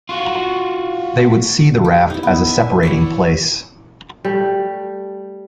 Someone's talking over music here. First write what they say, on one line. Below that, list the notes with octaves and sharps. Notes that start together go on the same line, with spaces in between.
They would see the Raft as a separating place.
F4 F#4
G4
D#4 E4
B3
E5 G#5
E4 C#5 D5
G3 A3